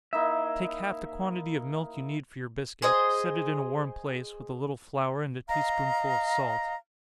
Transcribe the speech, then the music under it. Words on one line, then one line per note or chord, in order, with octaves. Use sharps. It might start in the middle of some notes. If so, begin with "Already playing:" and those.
Take half the quantity of milk you need for your biscuit--set it in a warm place, with a little flour, and a tea-spoonful of salt.
A#3 D#4 E4 E5
G#4 C5 D#5
D#5 F5 A#5